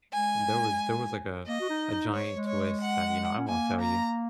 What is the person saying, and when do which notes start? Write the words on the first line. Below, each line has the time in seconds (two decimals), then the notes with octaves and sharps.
like, there was there was, like, a a giant twist that, you know I won't tell you,
0.13 G#3 G#5
1.47 A#3 D#5
1.61 F#4
1.70 D#4
1.91 D#4
2.14 G#3 C#5
2.34 G#3
2.47 C#5
2.81 F#5
3.38 C#4
3.48 A#3 G#5
3.81 A#5